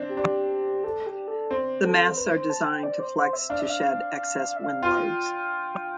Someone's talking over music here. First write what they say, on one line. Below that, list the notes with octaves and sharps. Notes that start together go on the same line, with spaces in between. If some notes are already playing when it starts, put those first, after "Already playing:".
The masts are designed to flex to shed excess wind loads.
Already playing: C4 D4
G4
D4
A4
G4
A4
C4
A4
C5
B4
C5
A5
G5
D5
C5
C5
E5
D4 F5
E5
F5
F5
F5
E5
F5
F4 G5